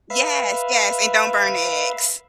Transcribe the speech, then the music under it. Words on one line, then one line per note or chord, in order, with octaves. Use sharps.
Yes, yes, and don't burn the eggs.
B4 E5 F5